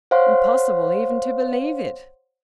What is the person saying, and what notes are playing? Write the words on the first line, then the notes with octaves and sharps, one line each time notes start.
Impossible even to believe it!
C5 C#5 F5 F#5 C6